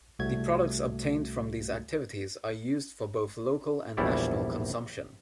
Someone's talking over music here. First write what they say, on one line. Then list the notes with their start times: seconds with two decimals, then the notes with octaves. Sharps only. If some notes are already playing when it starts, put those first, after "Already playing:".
The products obtained from these activities are used for both local and national consumption.
0.19 C2 A3 F#4 G#6
3.97 A#1 E2 G3 E4 C#5 D5